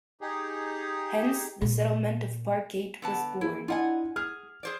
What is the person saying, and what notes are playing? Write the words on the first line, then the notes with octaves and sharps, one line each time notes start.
Hence the settlement of Parkgate was born.
D#4 G4 G#4
A#2
D3 B3 A5
A#3 E4 G#4
D4 E4 F4 D#5 F#5 G#5
G#4 F6
G#4 C5 D5